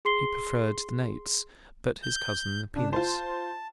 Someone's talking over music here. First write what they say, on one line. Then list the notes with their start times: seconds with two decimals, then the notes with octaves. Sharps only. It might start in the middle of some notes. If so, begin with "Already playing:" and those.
He preferred the nates, but his cousin the penis.
0.05 G#4 C6 C7 G7
2.03 G6
2.76 C#3 D4
2.93 F4 C5 A5